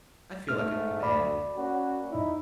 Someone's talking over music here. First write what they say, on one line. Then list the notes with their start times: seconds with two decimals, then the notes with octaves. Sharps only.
"I feel like a new man."
0.49 G#2 A3 F6
1.03 D2 D5 B5
1.57 A#3 C#4 F#4
2.10 D#4 E4